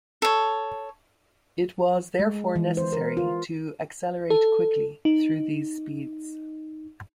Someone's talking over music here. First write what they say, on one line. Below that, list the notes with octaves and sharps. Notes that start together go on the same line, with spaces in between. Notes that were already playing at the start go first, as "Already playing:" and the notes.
It was therefore necessary to accelerate quickly through these speeds.
A4 C#5
G#3
E3
C5
A#4
F4
A4
D#4